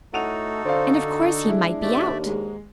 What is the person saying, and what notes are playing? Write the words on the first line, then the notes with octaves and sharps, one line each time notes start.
And of course, he might be out.
A2 A3 D#4 F#4 A4 F#5 D#7 F7
D3 C5 D5 D#5 F5
D4
G#3 E4
D#2 A3 D5 E5
G#2 G#3